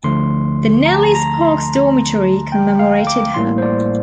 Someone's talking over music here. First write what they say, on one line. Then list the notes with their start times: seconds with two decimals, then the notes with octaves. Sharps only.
The Nellie Sparks Dormitory commemorated her.
0.04 D2 D3 F3 A3 C6
0.86 A#5
0.94 A5
1.03 A#5
1.15 A#5
1.42 C6
2.52 G5
2.79 F5
3.07 D6
3.34 A1 A2 G3 A#3 C6
3.58 C5
3.62 D5